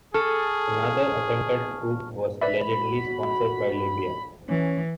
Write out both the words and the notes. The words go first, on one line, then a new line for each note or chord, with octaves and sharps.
Another attempted coup was allegedly sponsored by Libya.
G#4 A4 A5 C#6 F6
B4 D5 E5 B5
F#4
E3 C#4